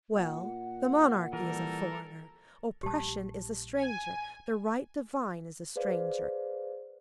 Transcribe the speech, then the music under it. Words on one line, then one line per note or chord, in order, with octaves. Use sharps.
Well, the monarchy is a foreigner; oppression is a stranger; the right divine is a stranger.
A#2 F#5
E3 G3 A4 A#4
A#1 G3 G4 A5
G#5
G#4 B4 C5 D5 F5